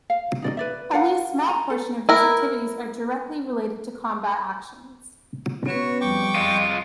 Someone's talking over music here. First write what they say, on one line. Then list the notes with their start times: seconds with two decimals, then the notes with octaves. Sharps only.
Only a small portion of these activities are directly related to combat actions.
0.10 F5
0.42 D#4 D5 D#5
0.57 B4 D5 E5
0.93 F4 A#4 F5 F#5
1.47 G#5 A#5
1.70 A4
2.09 E4 A#4
5.66 B3 C#4 F#4 B4 C#5
6.01 F2 G3 G5 C#6 D6
6.35 G#3 F4 D#5